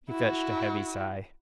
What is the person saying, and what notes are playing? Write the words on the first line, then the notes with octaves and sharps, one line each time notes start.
He fetched a heavy sigh.
E4 F#4